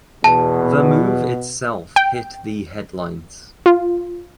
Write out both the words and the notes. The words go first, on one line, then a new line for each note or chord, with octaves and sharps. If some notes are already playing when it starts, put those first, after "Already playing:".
The move itself hit the headlines.
E2 B2 A5
G5
F4